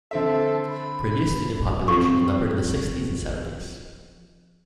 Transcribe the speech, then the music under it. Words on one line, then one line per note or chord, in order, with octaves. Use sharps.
Previous student populations numbered in the sixties and seventies.
D3 C4 A4 E5
B5
F3 C4 C#6